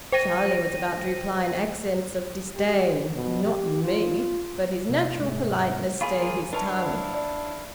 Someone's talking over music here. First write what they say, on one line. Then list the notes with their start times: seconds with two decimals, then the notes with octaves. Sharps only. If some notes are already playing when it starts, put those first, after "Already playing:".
Charlie was about to reply in accents of disdain: "Not me!" But his natural politeness stayed his tongue.
0.12 C5 G5 A#6 D#7
2.56 G4
3.14 B2
3.44 G4
3.84 F4
4.85 C3
5.16 G#2 C3 G#3 A3
6.01 A#3 F4 G#4 A#4 F5 B5 C#6
6.53 D4 E4 B4 C#5 F5 A5
7.14 D5